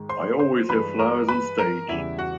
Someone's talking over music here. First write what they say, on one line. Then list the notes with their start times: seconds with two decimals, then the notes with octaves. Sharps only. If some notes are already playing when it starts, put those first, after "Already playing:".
I always have flowers on stage.
Already playing: G#2 D#3 G#3
0.09 C5 C6
0.39 C5 C6
0.69 G2 E3 G#3 B4 B5
0.99 A#4 A#5
1.28 B4 B5
1.58 A#4 A#5
1.88 E2 C#3 E3 G3 E4 E5
2.18 F#4 F#5